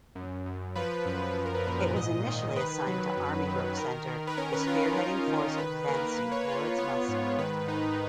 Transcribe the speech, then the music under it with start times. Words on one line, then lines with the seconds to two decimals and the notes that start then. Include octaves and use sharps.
It was initially assigned to Army Group Center, the spearheading force advancing towards Moscow.
0.15 F#2
0.46 F#2
0.75 F3 B4
1.06 F#2
1.36 F3 B4
1.46 A#4
1.54 B4
1.66 A#2
1.96 G#2 D#5
2.26 D#3
2.56 D#3 B4
2.87 F#3
3.17 F#2
3.47 D#3
3.77 D#3 A#4
4.07 D#3
4.27 B4
4.37 C#4 A#4
4.53 B4
4.67 F4 A#4
4.83 A#4
4.97 D#4 A#4
5.28 D#3
5.57 D#3 B4
5.88 A#3 A#4
6.18 A#3 B4
6.32 C#5
6.45 F4 B4
6.78 B3 C#5
7.08 G#2
7.38 D#3 B4
7.68 D#4